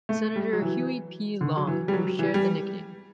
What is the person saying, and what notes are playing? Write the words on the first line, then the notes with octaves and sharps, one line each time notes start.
Senator Huey P. Long who shared the nickname.
A3
G3
F#3
E3
D3
F#3
E3
G3
F#3
E3
G3